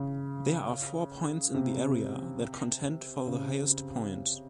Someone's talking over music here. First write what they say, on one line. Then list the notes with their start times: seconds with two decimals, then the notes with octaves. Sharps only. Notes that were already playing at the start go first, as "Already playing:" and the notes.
There are four points in the area that contend for the highest point.
Already playing: C#3
1.54 C3
3.27 C#3